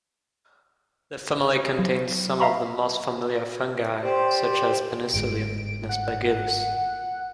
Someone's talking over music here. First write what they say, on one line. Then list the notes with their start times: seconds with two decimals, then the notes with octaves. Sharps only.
The family contains some of the most familiar fungi, such as "Penicillium" and "Aspergillus".
1.79 F#3
2.40 E5 F5 A#5 B5 C#6
4.02 G4 C5 D5
5.14 G1 G#2 G#3 D7
5.89 F#5